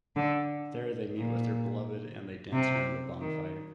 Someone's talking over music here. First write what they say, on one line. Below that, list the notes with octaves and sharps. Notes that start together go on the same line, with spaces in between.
There they meet with their beloved and they dance around a bonfire.
D3
A#2
C3
D#3